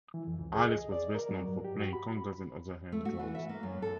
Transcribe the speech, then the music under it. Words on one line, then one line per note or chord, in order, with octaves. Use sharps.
Alias was best known for playing congas and other hand drums.
E3
F2
C#2
G#4
D#5
D5
A#4
F#3
G2
G4
F#4
B5
A3
F#4
E3
E5
A#3
F#2
A4